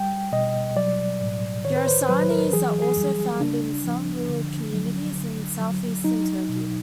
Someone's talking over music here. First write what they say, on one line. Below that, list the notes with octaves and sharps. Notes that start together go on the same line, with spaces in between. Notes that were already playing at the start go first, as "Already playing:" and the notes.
Yarsanis are also found in some rural communities in southeastern Turkey.
Already playing: G3 G5
B2 D#5
F#3 D5
A2
D#3 C#5
B4
C5
F#3 B4
A#4
E3 G#4
G#4
G3
C#3 D4
F3
D3
F#3
D3
F#3
F#3 D#4
B2